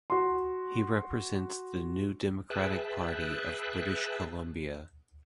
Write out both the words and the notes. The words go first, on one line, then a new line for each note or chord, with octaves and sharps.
He represents the New Democratic Party of British Columbia.
F#4 C6
G#4 B4 E5 G5 A5 F#6